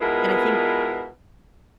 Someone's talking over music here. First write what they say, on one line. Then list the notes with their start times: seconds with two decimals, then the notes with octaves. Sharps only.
and I think
0.01 B2 G#3 B3 E4 F4 A#4